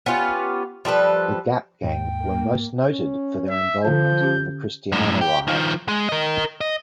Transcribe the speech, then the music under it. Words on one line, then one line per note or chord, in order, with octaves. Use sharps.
The Gap Gang were most noted for their involvement in the Christiana Riot.
B3 C#4 F4 G4
F3 G3 A4 B4
D#2 G#2 G5
A#3
C#4
E5
D3 F3 A5 G6
C#4 G4
F#2 A2
G4
D#3 F3
G#3
A#4 D#5
D#5